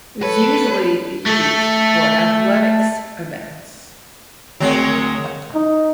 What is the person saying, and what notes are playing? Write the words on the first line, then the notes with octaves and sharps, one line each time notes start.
It is usually used for athletics events.
A4 B4 C#5
A3 A4
D2 F#3 G#3 C4 A#4 C#5
D#4